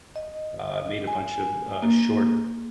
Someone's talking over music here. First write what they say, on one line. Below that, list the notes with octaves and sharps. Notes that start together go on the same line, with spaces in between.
uh, made a bunch of, uh, short,
D#5
G#5
A#3